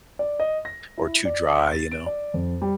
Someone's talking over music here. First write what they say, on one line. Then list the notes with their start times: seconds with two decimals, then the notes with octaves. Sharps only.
or too dry, you know?
0.19 D5
0.40 D#5
0.65 A#6
0.98 E4
1.25 D5
1.72 A6
1.91 D7
2.06 D5
2.34 F2
2.62 G3